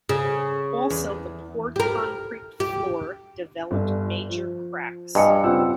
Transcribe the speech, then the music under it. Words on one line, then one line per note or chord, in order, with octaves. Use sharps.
Also the poured concrete floor developed major cracks.
C#3
E2
G4 A#4
G4
G1 G2
F3
G2 D#5 G#5 C#7
C#3 C4 F4 F#5 E6